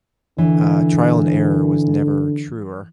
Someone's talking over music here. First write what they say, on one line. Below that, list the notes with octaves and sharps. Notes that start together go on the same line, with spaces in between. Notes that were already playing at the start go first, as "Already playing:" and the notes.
uh, trial and error was never truer
D3 E3